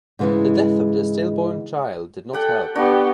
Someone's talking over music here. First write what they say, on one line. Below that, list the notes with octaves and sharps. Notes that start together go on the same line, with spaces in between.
The death of their stillborn child did not help.
G#2 C#3 E3 G3 G#3
G4 A4 F#5 G5
B3 D4 F#4 G4